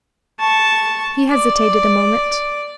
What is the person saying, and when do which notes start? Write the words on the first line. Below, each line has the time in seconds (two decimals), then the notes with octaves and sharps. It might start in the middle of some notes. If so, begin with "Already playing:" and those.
He hesitated a moment.
0.40 A5 C#6
1.31 D5